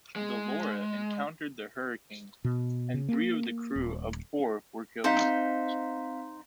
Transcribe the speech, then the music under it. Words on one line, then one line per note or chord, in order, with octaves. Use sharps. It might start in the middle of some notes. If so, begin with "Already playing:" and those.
The "Laura" encountered the hurricane, and three of the crew of four were killed.
G#3
B2
C#3
A#3
D#1
C4 D#4 C5 F5 B6